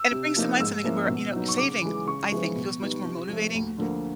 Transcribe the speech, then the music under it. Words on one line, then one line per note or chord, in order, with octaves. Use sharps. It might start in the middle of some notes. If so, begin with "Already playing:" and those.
and it brings to mind something th where, you know, saving, I think, feels much more motivating
Already playing: E6
C3
F3 A#3 D#4
G#2 E6
F3 A#3 C#4 E4
B2
F#3 B3 D#4
C#6
C#3 D6
E3 G#3
C#3 C#6
F3 G#3 B3 E4
B2
G3 B3 D#4
C3
F3 A3
D2
D3 F3 A#3